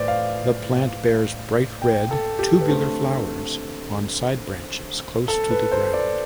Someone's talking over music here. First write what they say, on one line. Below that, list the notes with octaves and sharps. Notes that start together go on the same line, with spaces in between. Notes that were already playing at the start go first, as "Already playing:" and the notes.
The plant bears bright red, tubular flowers on side branches close to the ground.
Already playing: A2 E3 B4 C5 D5
F5
G5
A4
G4
B4
D3 A3 C4 A4
A4
B4
C5
D5